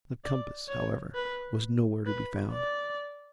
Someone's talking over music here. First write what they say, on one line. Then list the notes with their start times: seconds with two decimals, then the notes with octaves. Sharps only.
The compass, however, was nowhere to be found.
0.24 D5
0.69 C#5
1.15 B4
2.06 B4
2.52 D5